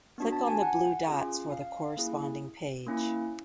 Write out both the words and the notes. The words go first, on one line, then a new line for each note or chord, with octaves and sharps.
Click on the blue dots for the corresponding page.
B3 D4 F#4
A5
G#5
F#5
C#4 F4 G#4
F5
A#3 C#4 E4 G#4
A#3 C#4 E4